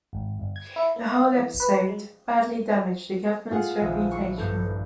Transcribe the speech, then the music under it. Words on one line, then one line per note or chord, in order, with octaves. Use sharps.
The whole episode badly damaged the government's reputation.
G#1
G1
G#6
E4
A#3
F5
E3
B4
G#3
F4 G#4 F#5
D#1 A#1 E5
E4 C#6
G1 G2 A4 G6